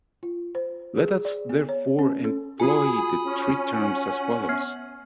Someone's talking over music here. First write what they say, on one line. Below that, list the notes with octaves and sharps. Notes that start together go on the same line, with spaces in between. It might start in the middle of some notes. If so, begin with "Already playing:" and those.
Let us therefore employ the three terms as follows.
F4
C5
G#4
D5
B3
C#5
C#4
A4
F4 F#4 G#4 G#5 B5 D#6
C#4
F#5
B3 F6